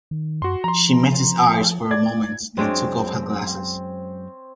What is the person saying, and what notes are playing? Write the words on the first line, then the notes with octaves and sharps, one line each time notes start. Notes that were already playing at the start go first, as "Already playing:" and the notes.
She met his eyes for a moment, then took off her glasses.
D#3
F#2 F#4 C6
F3 A#5 C6
D5 G#6
F#2 G#3 C4 D4 C5 C#5